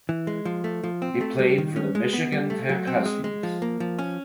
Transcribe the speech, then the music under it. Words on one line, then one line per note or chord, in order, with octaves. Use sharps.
He played for the Michigan Tech Huskies.
E3
G#3
F3
A3
F3
C4
A3
G3
D#3
C#4
G#3
B3
G3
A3
F#3
C4
G#3
G#3
F3
A#3
F3
C#4